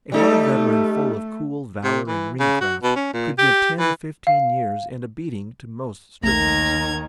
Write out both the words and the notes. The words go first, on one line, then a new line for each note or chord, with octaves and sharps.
A hard veteran full of cool valour and ring-craft, could give ten or fifteen years and a beating to most striplings.
G3 A3 D#4 A4
C3
E3
C#3
F#4
B2
C#4
A#2
G4
E3
F5
A#1 D#2 D#3 A3 A#5 G#6 A#6